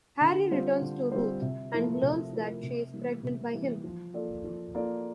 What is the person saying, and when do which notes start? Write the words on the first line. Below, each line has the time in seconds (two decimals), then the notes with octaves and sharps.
Harry returns to Ruth and learns that she is pregnant by him.
0.21 D3
0.51 G3 C4 F4 C5
0.81 D3
1.12 G3 C4 F4 C5
1.42 C3
1.72 F3 A3 E4 A#4
2.02 C3
2.33 F3 A3 E4 A#4
2.63 C3
2.93 E3 G3 A#3
3.23 C3
3.53 E3 G3 A#3
3.84 F3
4.14 A#3 F4 A4 D5
4.44 F3
4.75 A#3 F4 A4 D5